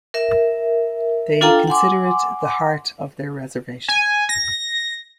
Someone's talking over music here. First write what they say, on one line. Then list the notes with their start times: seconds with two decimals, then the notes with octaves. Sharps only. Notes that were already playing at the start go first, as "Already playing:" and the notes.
They consider it the heart of their reservation.
0.14 A#4 E5
1.41 D4 F4 A4 F5 G5 A#5
1.67 F#5 G#5 C6 D6
3.88 G#5
4.29 A#6